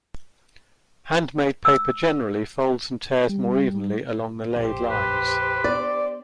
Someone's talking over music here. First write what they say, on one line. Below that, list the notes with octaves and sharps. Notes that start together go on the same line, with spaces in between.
Handmade paper generally folds and tears more evenly along the laid lines.
E6
G3
A#1 F2 G4 C5
B4
B3 D4 D5